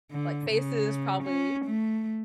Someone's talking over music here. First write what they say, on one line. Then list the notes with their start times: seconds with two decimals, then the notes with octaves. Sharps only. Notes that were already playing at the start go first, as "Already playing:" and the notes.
like faces probably
0.11 D3
0.51 C#3
1.24 C#4
1.66 A3